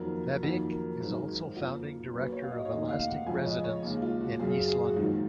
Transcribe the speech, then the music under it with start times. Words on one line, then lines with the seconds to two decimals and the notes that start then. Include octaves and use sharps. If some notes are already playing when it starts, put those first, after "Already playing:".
Fabyc is also Founding Director of Elastic Residence in East London.
Already playing: F2 D#3 F#3 A#3 A#4
0.43 F2 D#3 F#3 A#3
0.71 A#4
1.00 G#1 F#2 D#3 G#3
1.56 F2 F3 A#3
2.13 B1 B2 A#3 B4
2.32 C#5
2.43 F5
2.51 D#5
2.65 C#5
2.69 F1 D#2 D#3 D#5
2.89 F5
3.00 F5
3.07 F#5
3.26 F2 C#3 F3 G#3 G#5
3.41 C#5
3.45 D#5
3.64 C#5
3.83 D#2 C#3 G#3
4.02 F4
4.21 F#4
4.39 F#1 F#2 C#3 F#3 G#4
4.68 G#4
4.85 F#4
4.96 A#1 G#2 D#3 F#3 F4